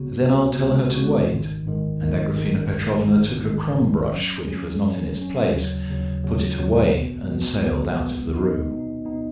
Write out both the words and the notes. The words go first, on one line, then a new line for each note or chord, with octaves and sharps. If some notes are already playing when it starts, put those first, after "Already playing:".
"Then I'll tell her to wait?" and Agraphena Petrovna took a crumb brush which was not in its place, put it away, and sailed out of the room.
Already playing: C#2 C#3 B3 F#4
C#2 C#3 B3 F#4
C#2 C#3 B3 F#4
C#2 C#3 B3 F#4
G#1 G#2 D#3
G#1 G#2 D#3
G#1 G#2 D#3
G#1 G#2 D#3
G#1 G#2 D#3
G#1 G#2 D#3
G#1 G#2 D#3
G#1 G#2 D#3
F#2 F#3 C#4
F#2 F#3 C#4
F#2 F#3 C#4
F#2 F#3 C#4
D#2 C#3 F#3
D#2 C#3 F#3
D#2 C#3 F#3
D#2 C#3 F#3
B1 B2 B3
B1 B2 B3
B1 B2 B3
B1 B2 B3
B2 B3 D#4
B2 B3 D#4
B2 B3 D#4